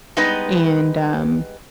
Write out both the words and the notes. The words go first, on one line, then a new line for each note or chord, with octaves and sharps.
and, um
G3 G#3 B3 D#4 B4 D#5